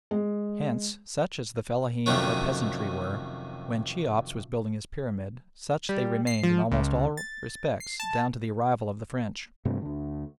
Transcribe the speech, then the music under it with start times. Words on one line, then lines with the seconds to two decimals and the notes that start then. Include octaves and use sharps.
Hence, such as the fellaheen or peasantry were when Cheops was building his pyramid, such they remained in almost all respects down to the arrival of the French.
0.11 G#3
2.06 F2 C3 D#3 F#3 A3 C#4
5.89 G3
6.27 C7
6.43 F3
6.71 C#2
7.17 A6
7.80 C7
8.00 A5
9.65 G2 C3 G3 A3
9.82 D2 D3